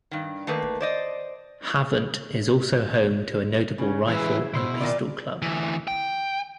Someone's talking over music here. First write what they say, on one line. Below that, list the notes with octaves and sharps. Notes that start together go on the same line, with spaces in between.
Havant is also home to a notable rifle and pistol club.
G2 D#3
D#3 A3 A#3 B4
C5 D5 D#5
C#3 C#4
E3 G#3 E4 G#4 B4 E5
B2 E4 C5 C6 E6
A#2 D#3 F4 D5
D2 E3
G5